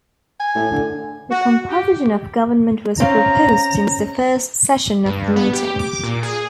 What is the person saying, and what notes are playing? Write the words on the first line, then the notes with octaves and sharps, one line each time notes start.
The composition of government was proposed since the first session of the meetings.
G#5
A2
D3
F#4
G4
C4 C#4 F5 A#5
G2
B3
G4
D6
A#2
G#4